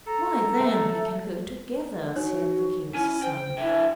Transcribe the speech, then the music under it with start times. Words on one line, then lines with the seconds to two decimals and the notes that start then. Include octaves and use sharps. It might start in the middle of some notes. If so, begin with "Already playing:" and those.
"Why, then, we can go together," said the King's Son.
0.07 A4 A#5
0.60 A3
2.16 D#4 F#4 C#5
2.94 C#4 E4 D#7
3.22 C5 G5
3.58 D3 E4 E5